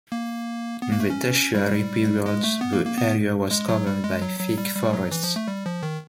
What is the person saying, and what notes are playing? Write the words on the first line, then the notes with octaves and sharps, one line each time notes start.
In the Tertiary period the area was covered by thick forests.
A#3
B3
A#3
A3
C#4
G3
G#3
A3
B3
A#3
A#3
B3
G#3
F#3
G3
G#3
F#3
F#3
G3
G3
F#3
E3
F3
A3
G3
F3
D#3